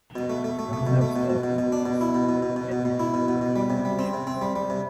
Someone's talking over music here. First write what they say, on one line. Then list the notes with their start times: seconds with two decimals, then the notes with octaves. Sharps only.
Photographs of Lupus would appear in a number of issues.
0.16 B2
0.30 A3
0.44 A3
0.59 A3
0.73 A3
0.87 B2
1.01 A3
1.16 B2
1.30 B2
1.43 B2
1.58 B2
1.72 D4
1.86 B2
2.01 E4
2.15 B2
2.29 B2
2.43 B2
2.56 B2
2.72 B2
2.85 B2
2.99 E4
3.14 B2
3.28 B2
3.41 B2
3.56 G3
3.70 C3
3.85 G3
3.99 C4
4.14 C3
4.27 C4
4.42 G3
4.56 G3
4.70 C3